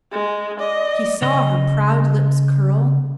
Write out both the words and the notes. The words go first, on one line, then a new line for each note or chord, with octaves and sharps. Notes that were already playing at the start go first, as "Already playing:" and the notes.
He saw her proud lips curl.
G#3
D5 D#5
C#3 D#5